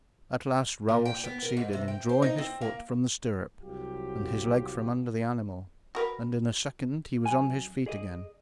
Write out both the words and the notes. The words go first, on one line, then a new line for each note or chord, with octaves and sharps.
At last Raoul succeeded in drawing his foot from the stirrup and his leg from under the animal, and in a second he was on his feet again.
A#2
G5
B3
A#4
G#2
C3
G5
C5
D#4
C4
A#3
C2 F#3 F4 G4
F#4 A#4 B4
F#2 G#5
G#4 D5 D#5